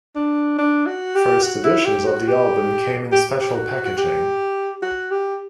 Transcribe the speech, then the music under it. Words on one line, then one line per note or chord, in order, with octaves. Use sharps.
First editions of the album came in special packaging.
D4
D4
F#4
G4
F#4
E4
G4
F#4
G4
G4
G4
F#4
F#4
G4
F#4
G4